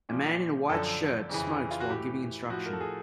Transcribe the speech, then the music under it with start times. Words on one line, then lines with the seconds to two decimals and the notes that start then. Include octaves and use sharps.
A man in a white shirt smokes while giving instruction.
0.09 A#2 F3
0.69 F#2 D3 F3 A4
1.30 F2 C#3 E3
1.71 F4
1.80 F#4
1.90 A2 E3 G4
2.50 A2 F3 F#4
2.66 A#4
2.73 A4
2.80 G#4